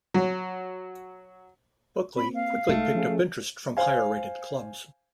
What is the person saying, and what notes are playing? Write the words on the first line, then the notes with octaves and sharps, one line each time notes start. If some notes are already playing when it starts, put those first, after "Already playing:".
Buckley quickly picked up interest from higher-rated clubs.
F#3
A#3 C4 B5
F5
C2 G#3 A3 D#4
F3 C#4 G#4
C5 F5 G#5